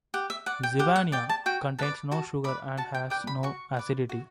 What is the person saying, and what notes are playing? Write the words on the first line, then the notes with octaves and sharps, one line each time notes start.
Zivania contains no sugars and has no acidity.
G4 F#5
E5
D5 F#5
G5
G4 F#5
F#5
D5 G5
A5
F#4 G5
B4 D5 A5
F#4 A5
B4 D5 B5
F#4 A5
G5
B4 D5 G5
B5
F#4 C#6
B4 D5
F#4